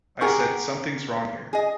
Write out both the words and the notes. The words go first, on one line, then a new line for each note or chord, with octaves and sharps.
I said, 'Something's wrong here'.
G4 G#4 A#4 F#5 C#6
G#4 D#5